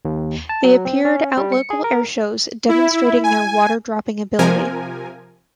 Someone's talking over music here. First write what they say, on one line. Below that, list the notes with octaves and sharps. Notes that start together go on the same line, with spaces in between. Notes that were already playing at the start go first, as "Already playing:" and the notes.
They appeared at local airshows, demonstrating their water-dropping ability.
D#2
A5
F#3
C4
C#4
G3
C#7
G#4
A#4
E4
G#5
C3 F3 A#4 G#5